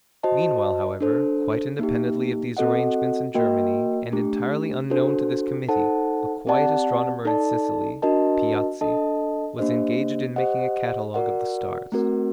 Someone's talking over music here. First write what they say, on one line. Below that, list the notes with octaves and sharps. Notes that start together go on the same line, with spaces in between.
Meanwhile, however, quite independently of these arrangements in Germany, and entirely unknown to this committee, a quiet astronomer in Sicily, Piazzi, was engaged in making a catalogue of the stars.
F#4 C5 D#5 A5
D4 A4 C5
A#3 D#4 G4
C4 F#4 A4 D#5 F#5
A#3 F#4 A#4 D#5 G5
A3 D4 G4
D4 F#4 A4 C5
D#4 A4 C5 F#5 A5
C4 G4 D5 F#5 A5
D#4 A4 D5 A5
D4 F#4 A#4 D#5 A5
D4 A4 D#5 A5
A#3 D4 G4 C5 D#5
G4 C5 D#5 F#5
F#4 A#4 D5 F#5
A3 C4 F#4 A#4